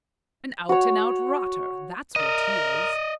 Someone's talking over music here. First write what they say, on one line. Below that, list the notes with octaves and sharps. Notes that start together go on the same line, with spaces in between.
An out-an'-out rotter, that's what he is.
F#4 C#5
A#4 D5 D#5